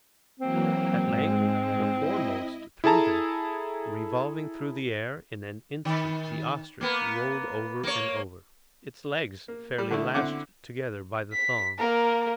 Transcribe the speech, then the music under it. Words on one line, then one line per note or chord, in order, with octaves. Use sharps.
At length the foremost threw them, revolving through the air: in an instant the ostrich rolled over and over, its legs fairly lashed together by the thong.
E3 F#3 A#3 C4
G#2 G#3
E4 D#5
E4 G#4 A4 A5 A#5
D#3
A#3 B3
A#3 C#5
A#3
G3
D3 A3 E4
D3 C4 E4 F#5 D6
B6
A#3 A#4